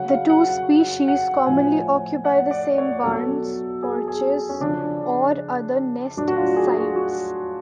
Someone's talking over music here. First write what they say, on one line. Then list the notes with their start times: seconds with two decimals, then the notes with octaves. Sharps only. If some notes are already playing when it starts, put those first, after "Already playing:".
The two species commonly occupy the same barns, porches, or other nest sites.
Already playing: C#3 F#3 F#5
0.10 F5
0.29 F#5
0.49 F#5
1.08 F#5
1.46 A2 F3 G#5
2.25 F#5
2.51 D5
2.78 C#5
3.03 B2 F#3 A4
3.83 G#4
4.08 G#4
4.49 C#4
4.60 C#3 F3 D4
6.17 A2 F#3 D4
6.28 F#4
6.37 F4
6.56 G#4
6.67 G#4
6.77 F#4
6.96 F#4